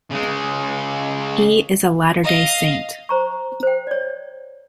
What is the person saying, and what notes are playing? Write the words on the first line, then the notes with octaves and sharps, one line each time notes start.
He is a Latter-day Saint.
C#3 G#3
D#5 F5
C5 A#5 C#6
C5 G5
C#5 D5